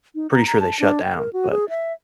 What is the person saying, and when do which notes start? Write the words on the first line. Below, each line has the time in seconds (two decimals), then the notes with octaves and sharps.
pretty sure they shut down, but,
0.15 D#4
0.32 A#5
0.47 A#5
0.60 A5
0.80 D4
1.04 G5
1.17 A#4
1.33 F#4
1.51 G#4
1.69 E5